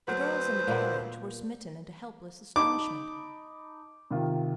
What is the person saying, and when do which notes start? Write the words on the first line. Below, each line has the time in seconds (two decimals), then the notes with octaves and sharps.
The girls in the carriage were smitten into helpless astonishment.
0.08 D2 F#3 C4 B4 C5
0.67 A#2 A#3 B3
2.56 D#4 A5 B5 D6
4.11 C3 D#3 F4